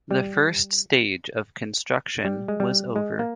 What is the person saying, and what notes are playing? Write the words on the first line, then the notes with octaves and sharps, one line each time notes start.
The first stage of construction was over.
G3
G3
G#3
G3
G#3
A#3